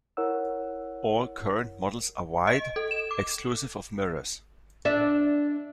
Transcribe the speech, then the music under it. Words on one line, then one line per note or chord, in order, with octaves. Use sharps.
All current models are wide, exclusive of mirrors.
E4 A#4 C#5 F#5 E6
D#5
A4
E7
D6
D4 E5